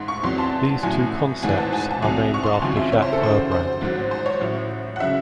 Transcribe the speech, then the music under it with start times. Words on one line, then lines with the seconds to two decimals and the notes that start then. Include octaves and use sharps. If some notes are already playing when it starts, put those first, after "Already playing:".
These two concepts are named after Jacques Herbrand.
Already playing: A1 G#2 C6
0.08 C#6
0.23 E2 C3 F#3 C6
0.38 A5
0.83 A1 A2 F#3 G#5
1.42 G#1 G#2 E3 G#5
1.58 A5
1.73 G#5
1.91 A5
2.02 C2 C3 F#3 G#5
2.34 C#6
2.43 C6
2.52 A5
2.62 C#2 C3 D#3 F#3 G#5
2.77 E5
2.92 C#5
3.02 C5
3.13 A4
3.22 G#1 F#2 C#3 C5
3.52 C5
3.81 G#1 G#2 F#3
4.11 C5
4.26 C#5
4.41 A1 A2 F#3
4.96 F#5
5.00 C#3 F#3 E5